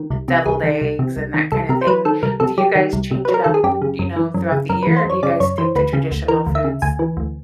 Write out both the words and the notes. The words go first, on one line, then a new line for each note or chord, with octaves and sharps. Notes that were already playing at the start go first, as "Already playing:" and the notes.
deviled eggs and that kind of thing. Do you guys change it up, you know, throughout the year, or do you guys stick to traditional foods?
Already playing: D#3
C2
C3
C2 G#4
D#3
C2
C3
C2
D#3
C2 A4
C3 A#4
C5
F#3 B4
D#3 A4
C2 A#4
C3 A4
F#3 G4
D#3
C2
C3
F#3 B4
A#4
D#3 A4
G#4
F#2 G4
C#3
F#2
E3
F#2
C#3
F#2 A#4
E3 B4
C5
F#2 C#5
C#3 D5
F#2 C#5
E3 C5
D2 B4
C#3
D2
E3 A#4
D2
E5
C#3
D2 G#5
E3
D2